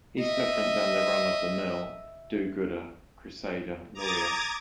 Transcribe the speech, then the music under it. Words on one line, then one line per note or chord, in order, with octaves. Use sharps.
He's different than the run-of-the-mill do-gooder crusader lawyer.
D#5 E5
A#5 D6 D#6 G#6 A6